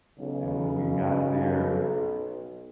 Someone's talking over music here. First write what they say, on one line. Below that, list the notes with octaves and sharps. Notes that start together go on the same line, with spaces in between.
And when we got there,
B1 C#3